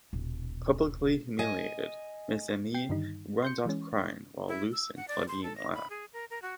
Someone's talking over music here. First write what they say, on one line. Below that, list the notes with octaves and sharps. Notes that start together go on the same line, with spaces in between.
Publicly humiliated, Miss Aimee runs off crying while Luce and Claudine laugh.
D#1 B1
D#5 G#5
G5 C7
G2 D3 D#3 G3 D#4
C6 G6 C#7
E3 G#3 C#4
E4
E6
F#5
D5
C6
A4
A#6
B5
G#4
A#4
A#4
F#4